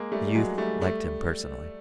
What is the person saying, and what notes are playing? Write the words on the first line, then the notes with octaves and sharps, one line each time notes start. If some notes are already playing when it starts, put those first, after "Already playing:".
The youth liked him personally.
Already playing: G#3 A#3
G3 A3
G3
F#3 G#3
G3 A3
G3 A3